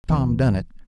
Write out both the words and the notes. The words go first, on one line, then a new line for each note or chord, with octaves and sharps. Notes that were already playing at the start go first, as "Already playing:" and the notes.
Tom done it.
D#1 C2 E3 C4